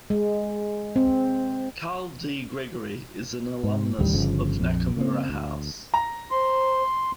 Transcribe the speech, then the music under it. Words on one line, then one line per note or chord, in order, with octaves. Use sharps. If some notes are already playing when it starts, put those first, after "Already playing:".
Karl D. Gregory is an alumnus of Nakamura House.
G#3
C4
G#2
D1 A1 D#2 G3
G1 C#3 F3
A#1 F2
C#3 A#3 C4
D2
A#5
C5 C6